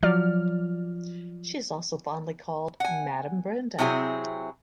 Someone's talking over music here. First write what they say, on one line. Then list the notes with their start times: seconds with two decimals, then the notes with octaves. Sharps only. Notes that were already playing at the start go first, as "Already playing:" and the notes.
She is also fondly called ""Madam Brenda"".
0.03 F3 F#3 D5 F6
2.80 F#5 G#5
3.78 C3 F#3 C4 E4 G#4 G#5